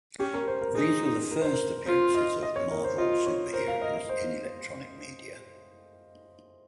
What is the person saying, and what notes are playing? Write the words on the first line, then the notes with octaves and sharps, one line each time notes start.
These were the first appearances of Marvel superheroes in electronic media.
C#4 G4
A#4
C5
A#4
D#4 G#4
A#4
C5
A#4
F4 C5
D#5
D#5
C#5
A#4
C5
F4 D#5
C#5
A#4 C5
F5
D#5
D#5
C5